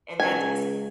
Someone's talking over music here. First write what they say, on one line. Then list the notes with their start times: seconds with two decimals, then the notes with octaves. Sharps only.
And that just
0.20 C#2 G#5